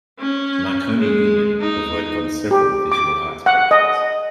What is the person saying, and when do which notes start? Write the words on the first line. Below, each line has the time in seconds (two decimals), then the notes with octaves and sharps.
Marconi Union have worked on several visual arts projects.
0.19 C#4
0.98 G#3
1.61 D#4
2.51 G4
2.92 D6
3.46 F#5
3.71 D#5